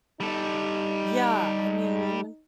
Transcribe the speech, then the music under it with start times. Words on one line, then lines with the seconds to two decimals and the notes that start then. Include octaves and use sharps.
Yeah, I mean
0.20 G3 D#4 A4